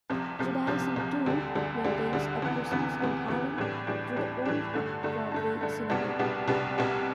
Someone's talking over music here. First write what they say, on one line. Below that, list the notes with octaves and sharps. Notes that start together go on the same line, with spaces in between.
Judaism, too, maintains a presence in Harlem through the Old Broadway Synagogue.
C2 C3 F3
C2 C3 F3
C2 C3 F3
C2 C3 F3
D2 D3 G3
D2 D3 G3
D2 D3 G3
D2 D3 G3
D2 C3 E3 B3
D2 C3 E3 B3
D2 C3 E3 B3
D2 C3 E3 B3
A2 E3 G3 D4
A2 E3 G3 D4
A2 E3 G3 D4
A2 E3 G3 D4
G2 D3 A3
G2 D3 A3
G2 D3 A3
G2 D3 A3
C2 B2 G3 B3 D4
C2 B2 G3 B3 D4
C2 B2 G3 B3 D4
C2 B2 G3 B3 D4